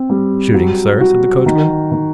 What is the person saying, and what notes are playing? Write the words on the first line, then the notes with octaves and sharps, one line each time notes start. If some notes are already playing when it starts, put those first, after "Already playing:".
'Shooting, sir?' said the coachman.
Already playing: C4
G3
F#3
F#4
D#3
D#3